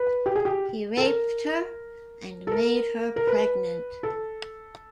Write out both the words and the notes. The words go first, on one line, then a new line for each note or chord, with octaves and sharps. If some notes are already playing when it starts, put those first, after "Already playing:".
He raped her, and made her pregnant.
Already playing: B4
G4
G#4
G4
A4
A#4
A4
A#4
A#4
B4
A4